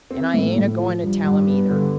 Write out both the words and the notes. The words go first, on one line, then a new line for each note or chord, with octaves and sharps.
And I ain't a-goin' to tell him, either!
C4
A2
A2
F3
G2
G2
B3
D3